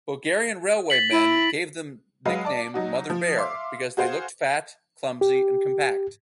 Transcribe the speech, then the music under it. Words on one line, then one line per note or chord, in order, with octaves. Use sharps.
Bulgarian railwaymen gave them nickname "Mother Bear" because they looked fat, clumsy and compact.
A6 B6 F#7
E4 D7
F#3 G#3 B4 D#5 F5
D5 A5
F#3 D#4 F#4
F3
E5 F5 C6 D6
F#4 G#4 C5 F5 F#5
G4